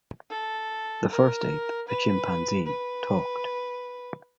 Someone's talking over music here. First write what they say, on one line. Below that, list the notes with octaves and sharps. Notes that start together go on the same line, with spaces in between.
The first ape, a chimpanzee, talked.
A4
A#4
B4
B4